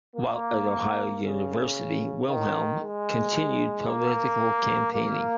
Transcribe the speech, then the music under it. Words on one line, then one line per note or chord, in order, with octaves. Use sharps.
While at Ohio University, Wilhelm continued political campaigning.
A#3
C#3
D#3
G#3
A#3
A#3